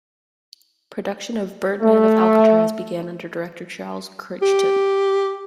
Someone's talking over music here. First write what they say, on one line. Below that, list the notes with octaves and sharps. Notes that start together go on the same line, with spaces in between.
Production of "Birdman of Alcatraz" began under director Charles Crichton.
A3
G4